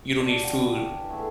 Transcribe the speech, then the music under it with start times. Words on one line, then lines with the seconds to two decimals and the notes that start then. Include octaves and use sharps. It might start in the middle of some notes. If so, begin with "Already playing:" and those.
You don't need food,
0.18 D4 C#5
0.43 F#4 F5 G5
0.64 G4 A#4
0.92 E3
1.09 A3 B3 G#4 E5